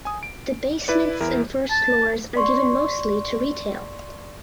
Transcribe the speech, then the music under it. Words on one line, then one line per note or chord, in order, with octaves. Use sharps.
The basements and first floors are given mostly to retail.
G#5 D#6
D7
E4 B4 D5
E2 E4 A#4
A5
D5 C6 C#6